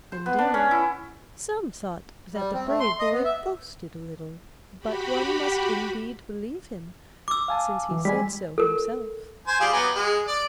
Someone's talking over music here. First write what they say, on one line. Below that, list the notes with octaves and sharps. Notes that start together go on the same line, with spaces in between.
Indeed, some thought that the brave boy boasted a little; but one must indeed believe him since he said so himself.
C5
B3
D4
C#4
E4
G3
C4
A3
C6
D#5
B3
E5
F#4 G4 B5
D6 E6
F5 G#5 A5
E3
G3 G#3 G#5 B6
A4 A#4
C5 G#5
G3 F4 G#4
F#3 B3 G4
G#3
D5